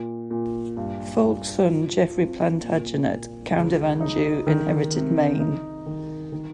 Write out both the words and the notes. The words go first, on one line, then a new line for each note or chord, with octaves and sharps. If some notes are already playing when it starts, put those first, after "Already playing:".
Fulk's son Geoffrey Plantagenet, Count of Anjou inherited Maine.
Already playing: A#2
A#2
G2
G2
F3
C4
A#2
A#2
C#2
D#4
D#3
C3
D#4
D#3
D#3